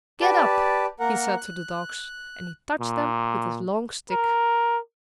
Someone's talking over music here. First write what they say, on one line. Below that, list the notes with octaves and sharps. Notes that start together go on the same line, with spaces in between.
"Get up!" he said to the dogs, and he touched them with his long stick.
G4 B4 D5 A5
A#3 A#4 F#5
F#6
A#2
A#4